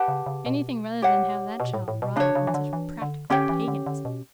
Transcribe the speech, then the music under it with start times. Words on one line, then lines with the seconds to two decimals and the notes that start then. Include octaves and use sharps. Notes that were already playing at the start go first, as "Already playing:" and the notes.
Anything rather than have that child brought up in such practical paganism.'
Already playing: G4 B4 F#5 A5
0.08 C#3
0.26 C#3
0.46 B2
1.02 G4 C#5 F#5
1.60 B2
1.74 A2
1.88 A2
2.02 B2
2.16 C#3 D4 F#4 C#5
2.35 C#3
2.47 E3
2.54 D3
2.73 E3
3.02 D3
3.30 D3 C#4 G4 C#5 G5
3.49 E3
3.68 D3
3.86 D3
4.05 B2